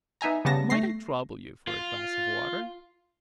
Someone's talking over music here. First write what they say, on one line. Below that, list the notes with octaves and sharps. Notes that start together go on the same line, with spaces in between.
"Might I trouble you for a glass of water?"
B3 D#4 E5 G#5 A#5
C#3 G3 B3 A5 A#6
A3 A#6 C7
F4